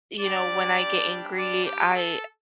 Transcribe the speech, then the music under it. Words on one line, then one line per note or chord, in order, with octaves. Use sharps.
you know, when I get angry, I
G3 D4 G4 D5
D5
G4
A4